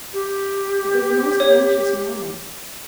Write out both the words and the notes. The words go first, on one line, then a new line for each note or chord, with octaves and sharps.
It was a most anxious morning.
G4
C#5